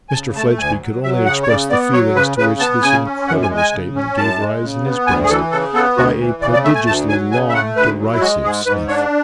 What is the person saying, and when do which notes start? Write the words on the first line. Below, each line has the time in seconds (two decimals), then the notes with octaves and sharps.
Mr Fledgeby could only express the feelings to which this incredible statement gave rise in his breast, by a prodigiously long derisive sniff.
0.09 G#5
0.13 C#3 A5
0.36 A3 A5
0.58 D2 G#5
0.81 F#3
1.03 F#3 E5
1.25 C#3 F#5
1.43 C#5
1.48 C#3 D5
1.70 B3 D5
1.93 F#3 C#5
2.15 C#3 B4
2.38 C#3 B4
2.60 B3 A5
2.83 C#3 G#5
3.05 C#4
3.28 F#2 F#5
3.42 G#5
3.50 G#3
3.57 G#5
3.72 C#3
3.95 C#4
4.17 F#2 A5
4.40 G#3
4.62 C#3
4.85 B3
5.07 D2 G#5
5.23 G#4
5.30 E3 A4
5.51 C#3 A4
5.74 B3 A4
5.97 D2 F#4
6.20 E3
6.42 C#3 D5
6.53 D5
6.64 A3 E5
6.75 G#5
6.86 D2 A5
7.09 F#3 G#5
7.32 C#3 G#5
7.49 E5
7.54 A3 F#5
7.76 D2 B4
7.99 F#3
8.13 E4
8.21 G#3 F#4
8.44 G#2 G#4
8.66 G#2 B4
8.88 D4 C#5